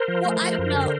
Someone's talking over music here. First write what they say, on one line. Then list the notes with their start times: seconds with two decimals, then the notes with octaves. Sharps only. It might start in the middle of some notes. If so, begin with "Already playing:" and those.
Well, I don't know
Already playing: A#4 C5
0.08 F3
0.25 A3
0.42 F3
0.58 F#2
0.75 D3